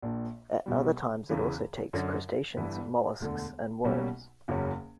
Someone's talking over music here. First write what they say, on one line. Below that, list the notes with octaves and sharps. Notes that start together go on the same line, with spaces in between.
At other times it also takes crustaceans, molluscs and worms.
A#1 A#2 A#3 D4
B1 B2 G3
E2 C#3 E3
F#2 D3 F#3
G1 G2 E3 B3 E4
E1 D2 D3
B1 B2 G3 A#3 C#4
F#1 E2 C#3 F#3 C#4